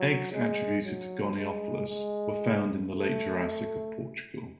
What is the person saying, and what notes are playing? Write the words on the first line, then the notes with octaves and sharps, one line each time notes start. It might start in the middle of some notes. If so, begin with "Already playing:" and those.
Eggs attributed to "Goniopholis" were found in the Late Jurassic of Portugal.
Already playing: F#3
G#3
F#3
G#3
G#3
A3